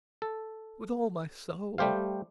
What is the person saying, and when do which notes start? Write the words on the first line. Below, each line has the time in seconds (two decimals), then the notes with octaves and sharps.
"With all my soul."
0.22 A4
1.78 G3 A3 G4 C5 F5